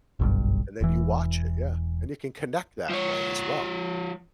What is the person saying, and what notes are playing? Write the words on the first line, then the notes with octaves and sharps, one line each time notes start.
And then you watch it, yeah. And you can connect that way as well.
F#1 B1 G2
E1 E3
F3 C#5